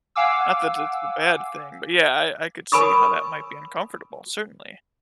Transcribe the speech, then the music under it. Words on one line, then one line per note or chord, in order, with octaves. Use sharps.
Not that it's a bad thing, but yeah, I I could see how that might be uncomfortable, certainly.
F5 F#5 G#5 D6 E6
A#4 G#5 B5 C#6 D#6